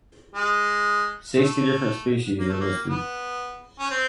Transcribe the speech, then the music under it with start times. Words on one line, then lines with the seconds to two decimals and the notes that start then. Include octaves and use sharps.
Sixty different species are listed.
0.35 G#3
1.37 A3
2.39 A#3
2.49 A3
2.61 A#3
2.89 B3
3.79 C#4
3.91 C4